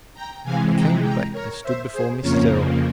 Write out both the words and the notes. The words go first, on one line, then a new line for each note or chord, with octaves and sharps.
He came back and stood before Mrs. Errol.
G5 A#5
C3 E3 G#3 F5 G#5
G5 A#5
G5 A#5
A#4 C#5
C5 E5
G#4 C5
F2 C#3 F3 A#3 A#4 C#5